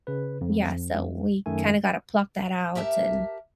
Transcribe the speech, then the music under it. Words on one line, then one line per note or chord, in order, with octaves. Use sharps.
yeah, so we kinda gotta pluck that out and
C#3 B4
F2
F#2 D#3 A3 G#5
G4 A#4 E5 G#5 A5